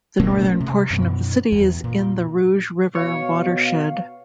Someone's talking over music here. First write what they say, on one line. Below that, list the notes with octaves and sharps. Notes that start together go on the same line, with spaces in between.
The northern portion of the city is in the Rouge River watershed.
B2 A3 A#3 C#4
C3
F#2 B2
E2
A#2
B2 C#5 F5